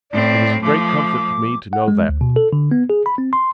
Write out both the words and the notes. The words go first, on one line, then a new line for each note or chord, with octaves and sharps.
It is a great comfort to me to know that.
A2 C4 D5
F3 A3 D6
F#5
G#3
D2
B2
A4
D3
B3
G#4
B5
C4
C6